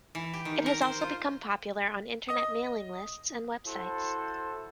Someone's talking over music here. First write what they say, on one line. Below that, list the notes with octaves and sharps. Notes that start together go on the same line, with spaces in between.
It has also become popular on Internet mailing lists and websites.
E3
G4
D#3
A#4
C5
F4
D#5 D#6
E4 F#4 A4 C5